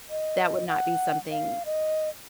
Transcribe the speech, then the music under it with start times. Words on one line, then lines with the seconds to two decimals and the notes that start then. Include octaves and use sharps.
that would not be something
0.10 D#5
0.68 F#5
1.31 F5
1.66 D#5